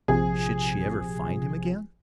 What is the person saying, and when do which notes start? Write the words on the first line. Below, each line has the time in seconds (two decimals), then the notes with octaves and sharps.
Should she ever find him again?
0.08 A#1 C3 F3 G#4